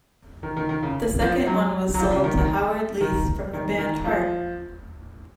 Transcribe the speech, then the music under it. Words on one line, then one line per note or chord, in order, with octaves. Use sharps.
The second one was sold to Howard Leese from the band Heart.
D#3
D#3
D#3
C#3
F3
F#3
F#3
F3
C#3
D#3
D#3
D#3
D#3
D#3
F3